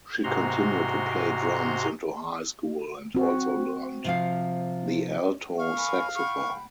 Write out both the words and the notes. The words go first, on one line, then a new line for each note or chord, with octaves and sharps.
She continued to play drums into high school and also learned the alto saxophone.
G#2 C3 F#4 A#5 C6
C4 F#4
C3 F3 F5
F5 C#6
A#4 G#5 B5
F#5 G5 B5 C#6